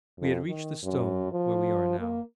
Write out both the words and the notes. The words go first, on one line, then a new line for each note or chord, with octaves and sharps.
We had reached the stone where we are now.
F2
D#3
F#2
F3
A#3